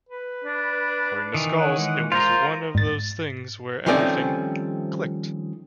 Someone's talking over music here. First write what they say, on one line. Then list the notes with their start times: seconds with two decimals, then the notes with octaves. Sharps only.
According to Scholz It was one of those things where everything clicked.
0.09 B4
0.44 D4
1.34 D#3 E3
1.59 C#5 F#5
1.79 G#3
2.12 F4 A#4 C5
2.75 G#2 A6
3.86 D#3 F3 G3 A3 C4 C#4